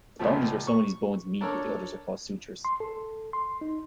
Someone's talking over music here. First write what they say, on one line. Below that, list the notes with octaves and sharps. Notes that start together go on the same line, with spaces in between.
The boundaries where some of these bones meet with the others are called sutures.
C#2 A#2 F3 A3
C#6
D4 A4 A#4 C#5
C6
A4
C6
D#4